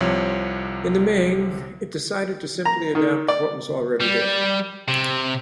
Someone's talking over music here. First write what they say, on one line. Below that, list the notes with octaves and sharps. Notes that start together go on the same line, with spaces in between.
In the main, it decided to simply adapt what was already there.
C2 C3 F3 C#5
A#5
D#3
D5
G3
C3